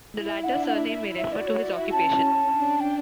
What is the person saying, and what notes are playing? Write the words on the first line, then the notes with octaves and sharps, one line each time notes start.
The latter surname may refer to his occupation.
E4
E5
D4 F#5
F#5
E4 E5
E5
E4
E5
F#4 D5
C#5
E4 D5
E5
C#4 A5
D4
G5